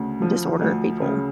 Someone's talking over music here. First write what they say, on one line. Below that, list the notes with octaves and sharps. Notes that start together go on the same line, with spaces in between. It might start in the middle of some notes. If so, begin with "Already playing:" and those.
disorder people,
Already playing: D2 C#3
F3
D2
C#3